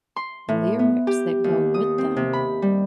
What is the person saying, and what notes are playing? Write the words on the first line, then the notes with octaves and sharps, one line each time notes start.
lyrics that go with them,
C6
A2
B3
G4
D#2
D#6
C4
C3
B5
G3